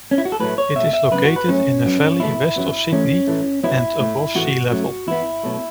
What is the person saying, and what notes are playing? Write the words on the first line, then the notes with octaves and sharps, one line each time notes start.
It is located in a valley west of Sydney and above sea-level.
C#4
E4
F#4
A4
A2 F#3 A3 B4
C#5
B2 A3 E5
E5
F#2 C#3 B3 B4
F#4
B4
F#2 F#3 A3 C#4
F#2 F#3 B3
E2 B2 A3 E4
F#2 F#3 B3
E2 E3 A3 C#4
A2 E3 A3
F#2 F#3 B3 E4
A2 A3
A2 E3 A3 F#4
F#2 F#3 A3
E2 E3 B3 E4
B2 F#3 A3